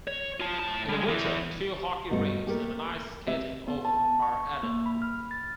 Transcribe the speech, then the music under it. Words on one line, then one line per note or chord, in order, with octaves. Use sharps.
In the winter two hockey rinks and an ice skating oval are added.
C#5
F4 A5
A2 A5
G3 G#3
E2 E3
G2 B2 A3
A3 A#3 G4 A#4
C3 E5
B3
A5
C#6
A#3
B5
F6
A6